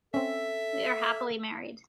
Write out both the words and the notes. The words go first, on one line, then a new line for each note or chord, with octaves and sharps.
We are happily married.
C4 C#4 A4 E5